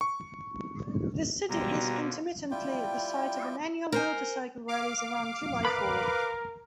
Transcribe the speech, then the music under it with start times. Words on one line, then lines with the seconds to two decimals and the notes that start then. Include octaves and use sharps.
The city is intermittently the site of an annual motorcycle rallies around July Fourth.
0.01 C#6
1.50 D#2 B2 D3 G3 F4 A#5
2.51 G3 E4 F4 G5
3.92 A#4 C5 G#5
4.68 F5 D6
5.65 A#4 B4 B5